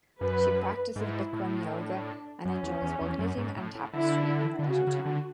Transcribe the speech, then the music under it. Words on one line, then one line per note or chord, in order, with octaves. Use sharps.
She practices Bikram Yoga and enjoys both knitting and tapestry in her leisure time.
F#2 B4
G#2 E4
A2
D4
F#2 C#4
E2
E2
E2
F#2
G#2
A2
A2
D3 E4
D3
C#3 F#4
C#3
D3